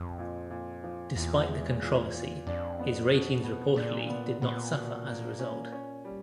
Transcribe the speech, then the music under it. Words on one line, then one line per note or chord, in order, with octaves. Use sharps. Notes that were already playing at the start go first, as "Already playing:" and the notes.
Despite the controversy, his ratings reportedly did not suffer as a result.
Already playing: F2
A#2
A#2
F3
E2 A#2
G#3
A#2
A#2
F2 D4
B3
B2
B3
A#2 D4
B3
A#2 B3
B2
A#3
C#4
C#4
G3